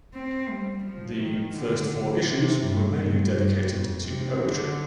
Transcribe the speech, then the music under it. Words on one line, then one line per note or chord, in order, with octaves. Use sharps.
The first four issues were mainly dedicated to poetry.
C4
G3
F3
D#3
D3
C3
G2
G2
G2
F2
C3
D3